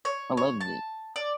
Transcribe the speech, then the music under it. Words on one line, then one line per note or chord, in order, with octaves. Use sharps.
I loved it.
C#5
C#5
A5
D5